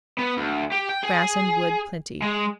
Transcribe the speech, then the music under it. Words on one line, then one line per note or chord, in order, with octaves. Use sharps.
Grass and wood plenty.
B3
D2
G4
G5
G#4
G#3